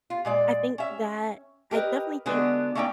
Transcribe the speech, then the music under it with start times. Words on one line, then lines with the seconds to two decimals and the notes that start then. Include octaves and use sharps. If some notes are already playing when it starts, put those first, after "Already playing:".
I think that I definitely think
0.10 F4
0.25 A#2 G#3 D5
0.78 C#4 E5
1.71 G4 A#4 B4 D#5
2.26 D3 G#3 B3 D4 F#4
2.75 A3 A#3 C#4 D#4 D5 G5